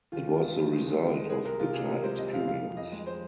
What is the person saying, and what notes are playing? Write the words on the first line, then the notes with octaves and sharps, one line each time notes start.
It was the result of bitter experience.
D#2 F4
D#2
F4
G#3
D#3
G#3
D#2
G#3
G#3
G#3 G#4
C2 A#4
C3 F4
C3 G#4
C3 A#4
G#3 C5
C2 D#5
C2 F5
F2 F5
F3
F2 D#5
G#3
C5